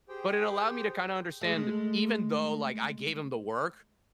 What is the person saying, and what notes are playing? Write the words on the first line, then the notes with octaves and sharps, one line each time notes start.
but it allowed me to kinda understand even though, like, I gave him the work
G4 G#4 C5 G5
G#3 A3